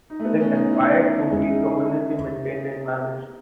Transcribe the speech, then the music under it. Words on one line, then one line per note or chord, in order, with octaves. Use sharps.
It aspired to be community maintained and managed.
D#4
A3
B3
C#4
D#4
E4
D#4
G#3 C#4 G#4
E4
D#4